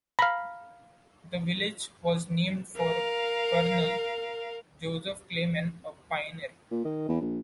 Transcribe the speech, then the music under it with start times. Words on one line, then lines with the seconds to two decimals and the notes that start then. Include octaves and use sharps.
The village was named for Colonel Joseph Clyman, a pioneer.
0.19 F5 A#5 B5
2.76 A#4 F5
6.71 A#2
6.85 D#3
7.08 E2
7.21 A#1